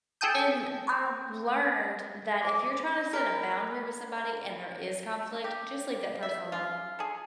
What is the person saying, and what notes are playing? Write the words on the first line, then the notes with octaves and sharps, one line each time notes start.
and I've learned that if you're trying to set a boundary with somebody and there is conflict, just leave that person alone.
G#4 A4 G5 A5 D#6 G6
D6
A#4 B4
G4
E5
C#3 F4
G#4 A4